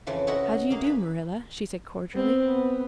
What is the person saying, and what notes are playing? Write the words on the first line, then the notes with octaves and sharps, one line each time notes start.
"How do you do, Marilla?" she said cordially.
F2 C#3 E3 F3
C#4 E4 F#4 A4 D#5 F#5
A#3 G#4 F5
B4 B5
B3 C4
B3